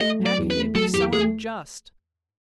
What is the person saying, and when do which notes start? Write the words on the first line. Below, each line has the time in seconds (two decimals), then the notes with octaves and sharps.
How can you be so unjust?
0.01 A3 D#5
0.20 F#3
0.26 D5
0.38 E2
0.51 B4
0.57 A3
0.75 F#3 A4
0.94 E2 G4
1.13 A3 G#4